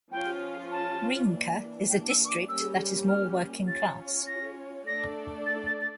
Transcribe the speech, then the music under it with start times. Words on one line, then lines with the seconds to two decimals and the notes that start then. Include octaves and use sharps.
Riemke is a district that is more working class.
0.11 F3 C#4 F4 G5
0.71 A5
1.31 E3 A#3 D4
1.90 G5
2.09 E6
2.25 C#6
2.29 D6
2.49 G3 A#3 C#4 G4 E6
3.09 F6
3.68 C#4 F4 C#5 A6
4.27 A#6
4.86 A3 D4 A4 D5 A#6
5.46 A6
5.66 A6
5.81 A6